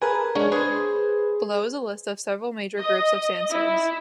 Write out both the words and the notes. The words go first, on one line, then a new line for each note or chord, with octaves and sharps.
Below is a list of several major groups of sandstones.
G#4 A#4 B4 G#5 A5
G#3 C#4 D4
G#4 B4 C5
D#5
E4